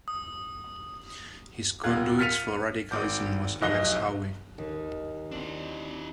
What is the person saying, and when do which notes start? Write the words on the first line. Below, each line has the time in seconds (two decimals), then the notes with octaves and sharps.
His conduits for radicalism was Alex Howie.
0.08 D#6
1.84 D#1 F4 F5 F#6 G#6
2.19 F6 A6 B6 C#7 D#7 F7
2.91 G#1 D6 G6
3.61 F1 B1 D#5 F#6 A#6 G7
4.58 D#2 D#3
5.31 C4 D4 E4